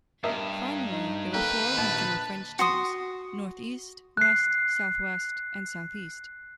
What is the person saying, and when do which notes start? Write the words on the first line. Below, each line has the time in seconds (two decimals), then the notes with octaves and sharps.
Finally, there were four regional French teams: North-East, West, South-West and South-East.
0.24 G2 A#4 D#5 E5
0.92 D#4
1.34 D#2 A#3 A4 B4 G5
1.78 A#1 A5
2.59 F#4 C6 D#6
4.17 F#6 C7